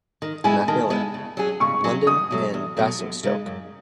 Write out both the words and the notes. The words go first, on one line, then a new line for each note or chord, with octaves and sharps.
Macmillan: London and Basingstoke.
D#3
G#3 B3 E4 G#5
D#3 A5
G#3 B3 E4
C#3
F#3 C#4 G#4
C#3 C#6
F#3 C#4 G#4
E2 D#6
B2 F#3 A3
E2
B2 F#3 A3
F#2
C#3 G#3 D#4
F#2